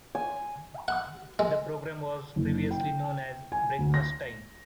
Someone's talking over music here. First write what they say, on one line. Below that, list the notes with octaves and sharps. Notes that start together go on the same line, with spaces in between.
The programme was previously known as "Breakfast Time".
G#5
F#5
G#3
F#1
G5
G#5
D2
A#6